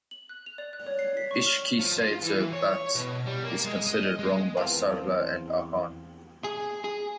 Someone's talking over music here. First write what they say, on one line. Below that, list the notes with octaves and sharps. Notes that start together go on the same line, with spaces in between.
Ishqi saves her but is considered wrong by Sarla and Ahaan.
F#7
F#6
F7
D5
F#6
C#5
C7
B6
C#6
F6
F3
F4
E3
C#5
B2
G3
A#3
G#3
D#5
G#3
E2 F3 C4 B4 D5 F5 A5
G#4
G#4